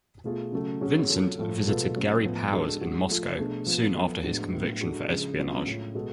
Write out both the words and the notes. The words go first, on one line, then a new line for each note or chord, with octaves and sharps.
Vincent visited Gary Powers in Moscow soon after his conviction for espionage.
B2 A3 F4 G#4
C#3 F#3 A3
F#3 C#4 G#4
F#3 C#4 F4 A4
A2 F3 A3
B2 G#3 B3 F4 A4
F#3 A3 C#4
A2 F3 B3
G#3 D4 F#4 A4
G#3 C#4 F#4
F3 A3 F4 A4
B2 A3 D4 G#4
F3 B3 F4
F3 B3 F4 A4
A2 G#3 B3 D4 F#4
A2 F#3 B3 D4
G#3 D4 F#4 A4
C#3 F3 G#3 D4 G#4
C#3 F#3 B3 D4 F4
A2 G#3 C#4 F4
B2 G#3 B3 F#4 A4